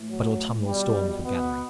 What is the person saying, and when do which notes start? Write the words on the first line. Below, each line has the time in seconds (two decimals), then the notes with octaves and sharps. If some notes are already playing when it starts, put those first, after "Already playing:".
But autumnal storms were gathering.
Already playing: A2 E3
0.08 F#3
0.67 B2 G3
1.25 B3